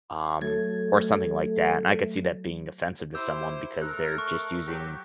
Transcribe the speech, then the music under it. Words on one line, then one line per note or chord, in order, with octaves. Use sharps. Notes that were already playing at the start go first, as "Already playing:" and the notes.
um, or something like that, and I could see that being offensive to someone because they're just using
F#3 A3 A4 G#6
E4 G4 C5 E6
A3 A4 A#4 F#6
C#6
F#3 G4